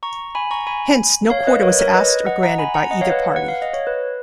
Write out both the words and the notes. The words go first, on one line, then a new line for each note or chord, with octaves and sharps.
Hence no quarter was asked or granted by either party.
A#5 C#6
G#5 B5
A#5 C#6
G#5 B5
C#5 F5
B4 D#5
A#4 C#5
A#4 C#5
B4 D#5
D#5 F#5
F#5 A#5
G#5 B5
F#5 A#5
D#5 F#5
C#5 F5
B4
F#5
F5
D#5
C#5
B4